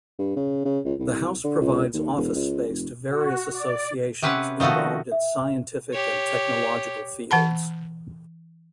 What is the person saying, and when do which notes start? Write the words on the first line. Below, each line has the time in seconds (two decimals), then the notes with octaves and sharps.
The house provides office space to various associations involved in scientific and technological fields.
0.19 G2
0.36 C#3
0.65 C#3
0.85 C#2
0.99 C2
1.44 D3
1.61 C#2
1.94 D#2
2.16 E1
2.35 C#2
2.69 F1
3.10 F#4
3.53 D5
4.22 C3 C4 C#4 B4 F#5
4.60 D#3 F3 A3 D#4 F#4
5.12 E5
5.93 G4 C#5
7.31 E3 F#5 A5 B5